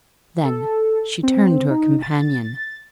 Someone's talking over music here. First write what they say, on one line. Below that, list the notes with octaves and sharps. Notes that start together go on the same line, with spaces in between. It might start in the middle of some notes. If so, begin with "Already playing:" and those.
Then she turned to her companion.
A4
C4
D#4
A6